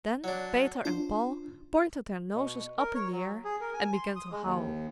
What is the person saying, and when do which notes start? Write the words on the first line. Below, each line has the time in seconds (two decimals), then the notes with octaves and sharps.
Then Peter and Paul pointed their noses up in the air and began to howl.
0.24 F#3 D4
0.85 D4 F4 C5
2.34 B2
2.78 A#4
2.95 C#5
3.12 F#3
3.45 G#4
3.61 A#4
3.74 G#5
3.93 C6
4.16 D#6
4.31 G#3
4.44 D#2